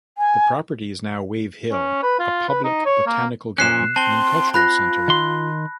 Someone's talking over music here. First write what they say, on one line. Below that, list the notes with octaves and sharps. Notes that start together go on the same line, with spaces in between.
The property is now Wave Hill, a public botanical garden and cultural center.
G#5
C#4
B4
F4
B4
D#4
C#5
A#3
A#2 F3 C#4 F#6 C7 E7
C4 A5 C6 G7
F4 B5 F#6 A#6
D#3 C6